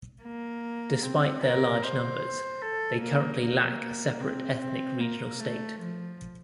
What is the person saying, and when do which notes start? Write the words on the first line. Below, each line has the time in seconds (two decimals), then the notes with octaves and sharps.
Despite their large numbers they currently lack a separate ethnic regional state.
0.23 A#3
1.03 C4
1.42 A#4
1.82 C5
2.61 A4
3.01 A#3
3.41 A#3
4.21 C4
4.60 C4
5.00 A#3
5.40 A3
5.79 F3